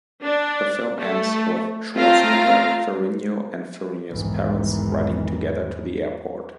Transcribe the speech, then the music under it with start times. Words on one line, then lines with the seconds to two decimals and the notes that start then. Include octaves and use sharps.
The film ends with Schwarzenegger, Ferrigno, and Ferrigno's parents riding together to the airport.
0.22 D4
0.99 A3
1.96 A3 C4 F4 F5 A#5
4.11 B1 E2 G#2 D#3 E3